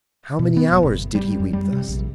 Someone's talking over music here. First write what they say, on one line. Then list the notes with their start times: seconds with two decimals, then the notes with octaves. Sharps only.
How many hours did he weep thus?
0.39 B2
0.56 B3
0.71 E1
0.83 F#1
1.15 G3
1.40 F#2
1.53 G3
1.73 C3
1.88 A#1